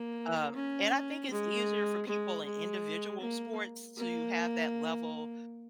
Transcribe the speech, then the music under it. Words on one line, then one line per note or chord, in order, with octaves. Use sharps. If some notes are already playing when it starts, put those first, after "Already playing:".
Um, and I think it's easier for people in individual sports to have that level
Already playing: A#3
C#4
G#3
G#3
G#3
A#3
A#3